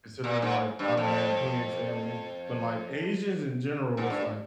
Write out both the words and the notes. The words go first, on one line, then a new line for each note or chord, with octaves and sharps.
considering like I don't have plenty of family, but like Asians in general, it's like
A#2
G#2
G2
F2
G#2
G2